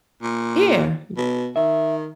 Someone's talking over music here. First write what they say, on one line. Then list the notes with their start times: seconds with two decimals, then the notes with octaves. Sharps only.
Yeah, m
0.23 A#2
1.17 B2
1.56 D#3 E5